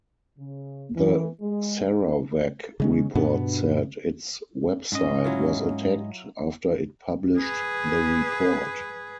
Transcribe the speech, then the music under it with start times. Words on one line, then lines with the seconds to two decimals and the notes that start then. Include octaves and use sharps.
The "Sarawak Report" said its website was attacked after it published the report.
0.38 C#3
0.96 E3
1.41 G#3
2.80 C#3 G#3 C#4
3.15 G2 B2 B3 D4
4.92 G#2 G#3 C#4 D#5
5.24 F#3 E4 F4
7.38 G#4 B4